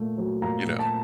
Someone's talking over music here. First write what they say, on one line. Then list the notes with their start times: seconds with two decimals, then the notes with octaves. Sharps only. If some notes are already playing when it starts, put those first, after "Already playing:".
you know,
Already playing: A#2 A3
0.18 F#3
0.42 A#2 A#5
0.66 A#2
0.79 A5